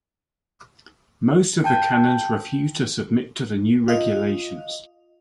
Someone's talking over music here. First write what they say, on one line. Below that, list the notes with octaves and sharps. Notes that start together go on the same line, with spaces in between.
Most of the canons refused to submit to the new regulations.
G5 A5 G6
F4 D#5